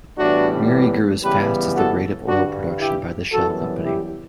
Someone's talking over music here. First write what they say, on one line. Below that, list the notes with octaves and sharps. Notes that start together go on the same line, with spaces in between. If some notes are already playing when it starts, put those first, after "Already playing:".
Miri grew as fast as the rate of oil production by the Shell company.
A2 E3 G3 B3 D4 F#4
C#3 E3 G3 B3 G4 B4
F#4 A4
G2 D3 G3 D4 F#4
E4 G4
F#2 E3 G3 B3 F#4 A4
E4 G4